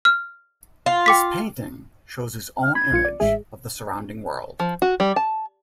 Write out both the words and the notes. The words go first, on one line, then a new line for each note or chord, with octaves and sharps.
His painting shows his own image of the surrounding world.
F6
F4
G5 D6 B6
F6
B5 G#6
A#1 F4 C#7
D5
A1 G#3 G#4 E5
F3
F#4
G3
A5